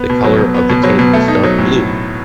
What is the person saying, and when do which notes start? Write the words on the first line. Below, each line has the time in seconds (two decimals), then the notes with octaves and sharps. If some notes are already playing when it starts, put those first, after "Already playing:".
The color of the tape is dark blue.
Already playing: B3
0.10 B2
0.24 F#3
0.39 B2
0.54 B3
0.69 B2
0.84 F#3
0.99 B2
1.13 A3
1.28 D#4
1.44 F#3
1.59 A2